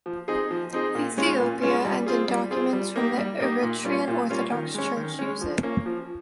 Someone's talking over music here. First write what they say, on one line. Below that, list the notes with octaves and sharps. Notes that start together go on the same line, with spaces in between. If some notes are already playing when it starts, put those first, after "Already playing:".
Ethiopia and in documents from the Eritrean Orthodox Church use it.
F3
C4 D#4 G#4
F3
C4 D#4 G#4
A#2
G#3 C#4 F4
A#2
G#3 C#4 F4
G3
C4 F4 G#4
G3
C4 F4 G#4
G3
A#3 D#4 G4
G3
A#3 D#4 G4
A#2
G3 A#3 C#4 F4
A#2
G3 A#3 C#4 F4
D#3
G#3 C#4
D#3
G#3 C#4
F3
A#3 C#4
F3